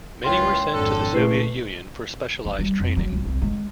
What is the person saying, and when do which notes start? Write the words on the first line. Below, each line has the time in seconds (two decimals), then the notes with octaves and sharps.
Many were sent to the Soviet Union for specialised training.
0.24 C#2 E3 A#3 F4 C#5 G5 C6
0.72 G#1 F2 D3 D4 A4
1.12 A#2 A3 E4 B4 C7
2.45 F#3
2.59 G3
2.80 F2
2.97 F#3
3.13 C#2
3.25 C2
3.42 G#3